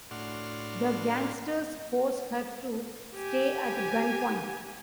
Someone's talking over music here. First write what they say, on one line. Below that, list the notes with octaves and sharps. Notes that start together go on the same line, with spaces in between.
The gangsters force her to stay at gunpoint.
A2 D4 F#4 C6 F6
G4 G#5